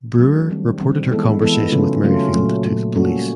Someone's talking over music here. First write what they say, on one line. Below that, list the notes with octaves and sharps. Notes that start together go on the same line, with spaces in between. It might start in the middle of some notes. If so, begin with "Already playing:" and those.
Brewer reported her conversation with Merrifield to the police.
F#3 A3 D4
D#3 G3 C4
D#3 G3 C4
E3 G#3 B3 E4 A4
E3 G#3 B3 E4 A4
C#3 F#3 A3 C#4 F4
C#3 F#3 A3 C#4 F4
A#2 F#3 A3
A#2 F#3 A3
G3 A#3 C#4 F#4 A4